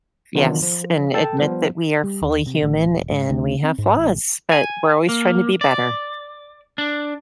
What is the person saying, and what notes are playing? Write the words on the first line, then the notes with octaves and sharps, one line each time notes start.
yes, and admit that we are fully human and we have flaws, but we're always trying to be better.
D#3 E3 F#3 B3 D4 F4
F3
A4 G5 A5
F3 G3 B3
G3
D#2
C3
A1
D#1
G#2
D2
C4
G#2
A1
G#5
A#3
D5
D4